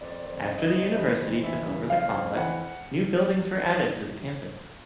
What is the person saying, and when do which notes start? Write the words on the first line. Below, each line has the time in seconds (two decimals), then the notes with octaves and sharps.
After the university took over the complex, new buildings were added to the campus.
0.01 F2 D5
0.25 F2
0.48 C#3 D#5
0.57 E5
0.67 D#5
0.72 F2
0.95 E3 D#5
1.19 F2
1.43 E3 E5
1.66 C#3
1.90 F2 F5
2.14 F2
2.36 E3 F#5